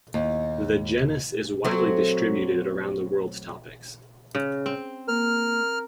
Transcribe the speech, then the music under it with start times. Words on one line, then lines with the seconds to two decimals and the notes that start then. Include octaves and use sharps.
The genus is widely distributed around the world's tropics.
0.14 D#2
1.65 F#3 A3 C4
4.35 C#3
4.66 C4
5.08 A#3 A#4 F6